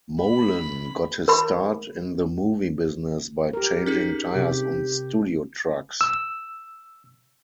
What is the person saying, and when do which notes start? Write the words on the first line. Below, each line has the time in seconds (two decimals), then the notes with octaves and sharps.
Molen got his start in the movie business by changing tires on studio trucks.
0.20 B5
1.28 A#4 B5
3.53 G4 A#4
3.86 C#4 D#4 G#4
4.34 C3 G4
6.01 E6